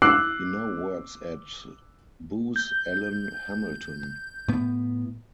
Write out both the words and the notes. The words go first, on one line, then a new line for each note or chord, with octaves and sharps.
He now works at Booz Allen Hamilton.
D6 E6 F#6 C7
G6
A2 B3